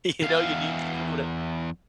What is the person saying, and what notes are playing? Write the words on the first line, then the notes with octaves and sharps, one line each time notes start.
You know, you need someone to
E2 F5